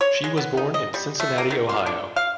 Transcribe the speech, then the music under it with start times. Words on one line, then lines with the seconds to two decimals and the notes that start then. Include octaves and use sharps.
She was born in Cincinnati, Ohio.
0.01 C#5
0.24 G#3
0.37 B3
0.57 D#4
0.74 D#5
0.94 G3
1.20 A3
1.38 A#3
1.51 D#3
1.69 F4
1.86 D4
2.16 F5